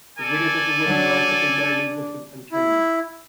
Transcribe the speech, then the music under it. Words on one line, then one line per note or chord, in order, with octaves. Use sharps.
The winners of the women's race have been mainly Russian and Kenyan.
A4 D5 G#5
F#3 D4
D4
E4